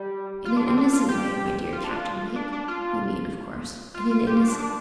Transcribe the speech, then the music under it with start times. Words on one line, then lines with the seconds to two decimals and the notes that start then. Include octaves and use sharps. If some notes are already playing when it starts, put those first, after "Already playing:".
'In an innocent way, my dear Captain Lake, you mean, of course--in an innocent way.'
Already playing: G3
0.45 F4
0.56 D4
0.67 C4
0.77 D4
0.93 F4
1.09 G4
1.73 F4
1.84 D4
1.96 F4
2.36 D4
2.52 D4
2.68 F4
3.94 F4
4.11 F4
4.27 G4
4.37 F4
4.48 D4
4.59 D4